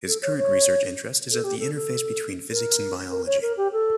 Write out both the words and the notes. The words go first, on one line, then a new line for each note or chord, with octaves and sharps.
His current research interest is at the interface between physics and biology.
A4
C#5
C#5
A4
G4
A4
A4
A#4
A#4
C#5
A#4
G4
A4